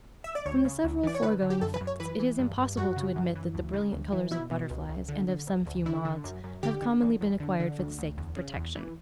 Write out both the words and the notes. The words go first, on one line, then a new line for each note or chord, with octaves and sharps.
From the several foregoing facts it is impossible to admit that the brilliant colours of butterflies, and of some few moths, have commonly been acquired for the sake of protection.
E5
D5
D2 C#5
C#3
D2
E3 D5
C#5
D3 B4
D3
G4
F#2 A4
B4
F#2
C#5
E3 B4
E3
G2
G2
F#2 F#4
C#3
F#2
E3
D2
C#3
D2
E3
B2 E4
B2
C#2
C#2
D3
D3
D2
D2
D3 E4
D3
F#2
F#2
D3 G4
D3
E2
E2
D3
D3
D2
D2
E2
C#3
E2
E3